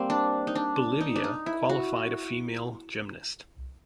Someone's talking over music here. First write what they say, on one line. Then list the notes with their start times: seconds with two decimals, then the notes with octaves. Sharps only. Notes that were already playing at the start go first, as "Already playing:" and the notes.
Bolivia qualified a female gymnast.
Already playing: G3 A#3 C4
0.10 D4
0.47 D#4
0.55 D4
1.01 D#4
1.16 D4
1.24 D#4
1.46 E4
1.69 F#4